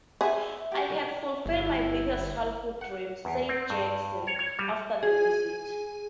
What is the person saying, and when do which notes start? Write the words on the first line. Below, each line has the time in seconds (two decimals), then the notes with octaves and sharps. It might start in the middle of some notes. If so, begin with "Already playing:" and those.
"I have fulfilled my biggest childhood dream", said Jackson after the visit.
0.21 G#4 E5 G#5
0.72 F#4 G4
1.45 G1 E4
2.81 F#5
3.25 E2
3.49 C4
3.70 G2
4.27 C#5
4.39 C#5
4.59 G3
5.03 G#4